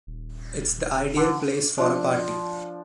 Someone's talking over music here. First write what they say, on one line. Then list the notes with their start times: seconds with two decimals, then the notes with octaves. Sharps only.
It’s the ideal place for a party.
0.07 D#1
1.16 D3
1.78 F3 D4